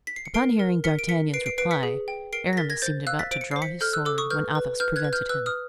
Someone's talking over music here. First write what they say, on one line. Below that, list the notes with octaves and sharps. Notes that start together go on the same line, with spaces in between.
Upon hearing D'Artagnan's reply, Aramis seemed about to draw his sword, when Athos prevented him.
B6
C7
C#7
A#4 C7 D7
A#4
A#4 B6 C#7
D7
A#4 B6 C#7
B4 C7 D7
C7 D7
B4 C7 D7
B6 C#7
G#4
G5
A#4 C7 D7
A#6
A#4 A6 B6
G#6 A#6
C5 G6 A6
F5 E6 F#6
A6 B6
C5 D7
C#7
C5 C7
B6 C#7
A4 F6 G6
E6 F#6
A4 D6 E6
C#6 D#6
B4 F6 G6
B4
B4 F6 G6
F#6 G#6
B4
F6 G6
B4 E6 F#6
D#6 F6